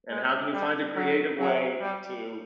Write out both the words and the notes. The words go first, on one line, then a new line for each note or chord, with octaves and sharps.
and how can you find a creative way to
G#3
G3
F#3
F#3
G3